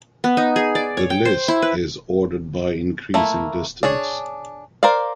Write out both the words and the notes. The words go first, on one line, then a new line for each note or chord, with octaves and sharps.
The list is ordered by increasing distance.
B3
D#4
G#4
D5
C#5
G5
C5
E4
B4
A3 A#3 E4
D4 G#4 C#5
A#4 C5 D5 F5